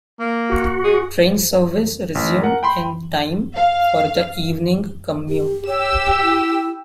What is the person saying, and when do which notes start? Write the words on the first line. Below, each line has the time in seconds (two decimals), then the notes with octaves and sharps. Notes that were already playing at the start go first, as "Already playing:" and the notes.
Train service resumed in time for the evening commute.
0.20 A#3
0.50 F#4
0.84 G#4
2.15 A1
2.42 A#4 F#5
2.63 G5 B5 C6
3.55 F5
5.29 G4
5.67 G4 C#5 E6
6.22 E4